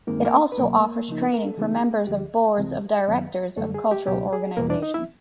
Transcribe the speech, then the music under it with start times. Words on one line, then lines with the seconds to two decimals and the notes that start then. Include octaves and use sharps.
It also offers training for members of Boards of Directors of cultural organisations.
0.07 G2 D#3 G#3 A#3 C4 D#4 A#4
0.25 A#3 A#4
0.52 B4
0.58 C#2 B2 F#3 A#3 A#4
1.08 C#3 F3 A#3 D#4
1.21 B4
1.33 A#4
1.45 A4
1.57 C#3 E3 G#3 B3 D#4 G#4
2.07 D2 D3 F3 G4
2.58 C#2 C3 E3 G#3 C4
3.07 F#2 D#3 F#3 B3
3.57 F#2 D3 G3 A3 A4
3.74 G#4
3.91 G4
4.07 C#2 B2 F#3 G4
4.33 G#4
4.57 E2 B2 G3 A#3 A#4
4.70 D4 D5
4.82 D#4 D#5
4.94 E4 E5